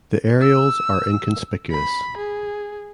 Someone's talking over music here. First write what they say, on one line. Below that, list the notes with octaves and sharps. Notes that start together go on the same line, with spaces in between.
The areoles are inconspicuous.
E6
B5
G#4